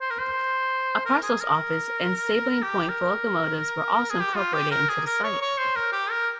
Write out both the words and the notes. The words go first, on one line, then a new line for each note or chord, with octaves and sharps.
A parcels office and stabling point for locomotives were also incorporated into the site.
C5
A#4
C5
A#4
G#4
A#4
G4
A#4
G#4
G4
F4
G4
A#4
G#4
A#4
C#5
C#5
C5
A#4
G4
A#4